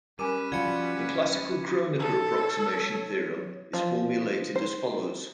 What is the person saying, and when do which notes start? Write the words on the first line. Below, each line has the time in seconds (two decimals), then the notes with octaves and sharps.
The classical Kronecker approximation theorem is formulated as follows.
0.19 G3 C#4 A#4 B4 G#5 D6 D#7
0.52 F3 G3 F#4 D5 F5 B5 G#6 C#7
1.18 D#4
1.99 A4 C#5
3.73 F3
4.56 C5